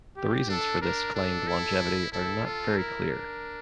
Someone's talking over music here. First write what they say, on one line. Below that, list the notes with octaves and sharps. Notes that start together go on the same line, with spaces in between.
The reasons for this claimed longevity are not very clear.
G4
D4 A4
D4 A#4
D4 A4
E4
E4 A4
F4 A4
E4 A#4
D4